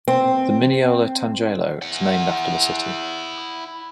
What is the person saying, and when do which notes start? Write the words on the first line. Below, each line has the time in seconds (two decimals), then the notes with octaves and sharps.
The Minneola tangelo is named after the city.
0.08 C4
1.82 E4 F#5